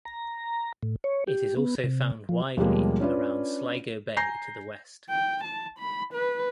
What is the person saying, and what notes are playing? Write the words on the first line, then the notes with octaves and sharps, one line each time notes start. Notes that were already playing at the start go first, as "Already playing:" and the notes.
It is also found widely around Sligo Bay to the west.
A#5
A2
C#5
G4
B3
C3
F3
D#2 B2 F3 G3 G#3 A#3
C#4 D4 F4 B4 D5
G#5 A#5 G6 A#6 C7
G5
A5
B5
B4